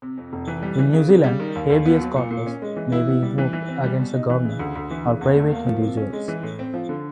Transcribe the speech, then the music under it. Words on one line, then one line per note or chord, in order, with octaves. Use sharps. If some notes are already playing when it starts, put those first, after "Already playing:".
In New Zealand, "habeas corpus" may be invoked against the government or private individuals.
C3
F2
F1
E3
G3
E3
C#3
C#3
G3
D#3
D#2
D#2
B3
F#3
A#2
A#2
C#4
G#3
E3
E4
B3
G3
E3
E3
C4
G3
B2
D#4
E3
C#3
D2
D2
E3
C#3
E2
A3
A#3
F3
C3
C#4
G#3
E3
A2
C4
F3
D3